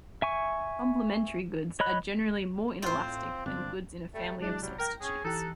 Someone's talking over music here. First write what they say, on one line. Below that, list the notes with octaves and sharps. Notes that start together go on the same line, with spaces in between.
Complementary goods are generally more inelastic than goods in a family of substitutes.
E5 G#5 C#6
C#5 D#5 B5 F#6
A2 C4 F4 C5
G1 C4 D4
G3 A3
F#3 G#3 D4 E4
C2 F#3 G3
A#4 G5 A#6
C#4 G#4
E3 D#4 G4 A4 F#6